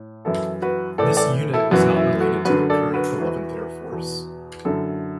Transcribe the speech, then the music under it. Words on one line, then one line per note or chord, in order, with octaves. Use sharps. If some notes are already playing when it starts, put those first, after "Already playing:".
This unit is not related to the current Eleventh Air Force.
Already playing: A2
F#2 E3 E4 A4
F#4 B4
A2 E3 A4 D5
A4 D5
E4 A4
F#2 E3 F#4
E4
F#4
F#2 D3 F#4 B4
A4 D5
F#4 B4
E2 E3
E2 B2
F#2 D3 E4 A4